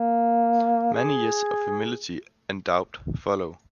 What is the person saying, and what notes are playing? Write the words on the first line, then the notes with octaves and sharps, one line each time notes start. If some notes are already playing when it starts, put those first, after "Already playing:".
Many years of humility and doubt follow.
Already playing: A#3
G#4